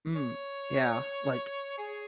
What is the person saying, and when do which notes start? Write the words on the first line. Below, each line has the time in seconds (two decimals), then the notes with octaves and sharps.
Mm, yeah, like
0.15 C#5
1.78 G#4